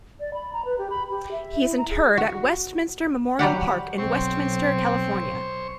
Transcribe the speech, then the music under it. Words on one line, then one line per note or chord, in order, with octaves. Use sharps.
He is interred at Westminster Memorial Park in Westminster, California.
D5
B5
A#5
B4
G4
B5
G4
E5
E4
A#5
G#4
F#4
F#3 G3 G4 F#5
B1 C4 C5 C#6